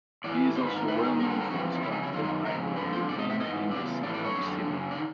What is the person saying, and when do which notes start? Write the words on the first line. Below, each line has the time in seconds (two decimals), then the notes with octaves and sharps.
He is also well known for his character Ira Woodbine in the sitcom "Cybill".
0.24 A2 E3 D5
0.56 G#2 D#3 C5
0.67 B4
0.76 A#4
0.87 G#2 B4
0.91 D#3
1.03 G#4
1.18 G2 A#4
1.23 D3
1.30 B4
1.40 A#4
1.50 F2 C3 E3 F#4
1.75 D#4
1.82 F2 C#3 E4
1.92 D#4
2.03 E4
2.13 F#2 D#3 F4
2.24 F4
2.45 F2 C#3 A#4
2.76 F2 D3 B4
2.93 C5
3.09 E2 C3 D5
3.19 D#5
3.30 E5
3.40 G#2 E3 D#5
3.71 E2 C#3 D5
4.03 A2 D5
4.06 E3
4.14 D5
4.25 C#5
4.35 F#2 D3
4.68 F#2 C#3
4.91 D5
4.98 D#3